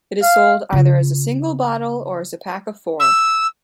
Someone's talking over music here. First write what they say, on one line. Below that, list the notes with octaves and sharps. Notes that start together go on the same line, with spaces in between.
It is sold either as a single bottle or as a pack of four.
F5
C#3 F4
E6